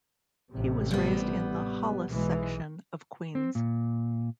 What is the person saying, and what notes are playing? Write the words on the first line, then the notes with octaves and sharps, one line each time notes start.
He was raised in the Hollis section of Queens.
A1 C3
G3 B3
B1 E3 G#3
C4
A#2